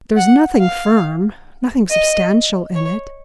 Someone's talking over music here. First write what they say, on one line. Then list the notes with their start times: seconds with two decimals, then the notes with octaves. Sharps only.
There was nothing firm, nothing substantial in it.
0.16 F#5
0.60 F5
1.90 D#5
2.75 C#5